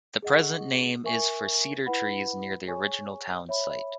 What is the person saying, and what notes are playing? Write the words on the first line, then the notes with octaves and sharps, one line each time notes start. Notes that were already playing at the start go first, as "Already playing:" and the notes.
The present name is for cedar trees near the original town site.
G#4 D#5 F#5 C#6
A#4 E5 G#5 C#6
E4 B4 F#5 B5
G#4 C#5 G#5 C#6
C#5 E5 B5